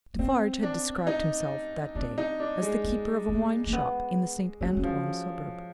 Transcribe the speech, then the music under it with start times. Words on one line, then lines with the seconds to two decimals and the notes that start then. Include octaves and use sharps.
Defarge had described himself, that day, as the keeper of a wine-shop in the Saint Antoine suburb.
0.14 A#3
0.19 B3 C4
0.63 D4
1.07 D#4
1.95 C4 D4
2.18 D#4
2.40 D4
2.62 G#3
2.84 B3
3.28 A#3
3.66 A#3
3.73 B3
4.61 F#3 C#4
4.70 C4
4.77 C#4
4.83 F3